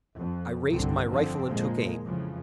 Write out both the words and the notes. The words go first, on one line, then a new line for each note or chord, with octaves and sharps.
I raised my rifle and took aim.
F2
G1 C2 G2 D3 C4
F2 D3 F3 C4
A#2 F3 G#3 A#3
F2 C#3 E3 F3